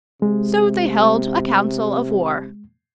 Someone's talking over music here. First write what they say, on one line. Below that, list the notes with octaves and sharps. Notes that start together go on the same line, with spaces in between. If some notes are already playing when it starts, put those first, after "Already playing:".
So they held a council of war.
C3 G#3